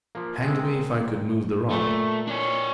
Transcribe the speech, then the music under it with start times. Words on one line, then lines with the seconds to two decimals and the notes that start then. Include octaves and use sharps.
Hang me, if I could move the rod!
0.15 F3 A#3
0.43 D#3 G#3 C4
1.70 A#2 A3
2.27 D4 C#5